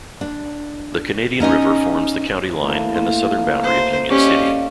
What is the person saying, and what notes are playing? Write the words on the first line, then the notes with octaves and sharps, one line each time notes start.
The Canadian River forms the county line and the southern boundary of Union City.
D4
C#4 D#4 D#5 G#5
E3 A3 A#3
F4
C5
C#4 G4 D5 D#5